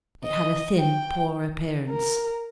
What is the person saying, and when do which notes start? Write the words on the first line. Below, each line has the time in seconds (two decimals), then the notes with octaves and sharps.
It had a thin, poor appearance.
0.24 D#5
0.79 G5
1.89 A#4